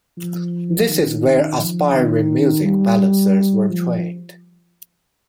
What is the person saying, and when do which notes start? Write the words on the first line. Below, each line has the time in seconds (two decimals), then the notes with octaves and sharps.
This is where aspiring music balancers were trained.
0.17 F3
0.88 D#3
1.58 F3
1.93 D#3
2.64 G3
3.70 F3